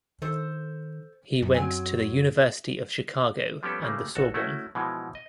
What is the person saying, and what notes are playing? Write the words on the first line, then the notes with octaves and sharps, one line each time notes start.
He went to the University of Chicago and the Sorbonne.
D#3 A4 C5
F#2
F#3 C4 G#5
F3 G3 B3 C#4 G4 A4
C#3 G3 A3 A#3
A1 F#4 A4
A3 C#4 E4 F#4
B2 E3 F3 G#3
D#5